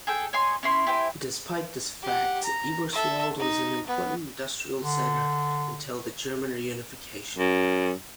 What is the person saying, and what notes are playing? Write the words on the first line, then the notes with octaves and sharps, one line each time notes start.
Despite this fact, Eberswalde was an important industrial center until the German Reunification.
G#4 A4 G5
C#5 D#5 G#5 C6
C#4 E4 C6
E4 G4 C5 G#5
G4 F#5
A#5
A4 E5
D#4
B3
D3
F#2